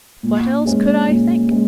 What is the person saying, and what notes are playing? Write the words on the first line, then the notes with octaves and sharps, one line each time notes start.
What else could I think?
A#2
G#3 C#4
A#2
G#3 C#4